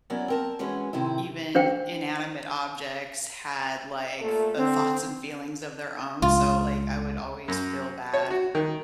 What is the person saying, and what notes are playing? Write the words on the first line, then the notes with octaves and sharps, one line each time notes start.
even inanimate objects had, like, f uh, thoughts and feelings of their own, so, like, I would always feel bad,
F#3 B3 C#4 E4 A#4 D5
C4 A#4 A5
E3 G#3 C#4 F#4 B4
A2 C3 D#3 C4 E4
D4 C5 G5
A#2 A3
D3 C4
C#2 F4
F#2
C#5
F#4
D#3